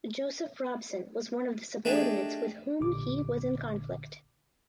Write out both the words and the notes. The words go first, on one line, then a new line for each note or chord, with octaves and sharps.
Joseph Robson was one of the subordinates with whom he was in conflict.
A3 D4 D#4 G4 G#4
A1 A#2 D3 D6